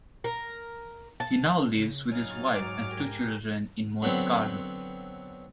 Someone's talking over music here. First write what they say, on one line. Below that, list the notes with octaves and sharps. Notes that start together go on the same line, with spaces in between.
He now lives with his wife and two children in Monte Carlo.
A#4
A5
C#3
F#3 D#4 C#5 F5 G#5 F6 A6
G#2 D6
G4 A#4 G#5
D3 F#3 B3 C4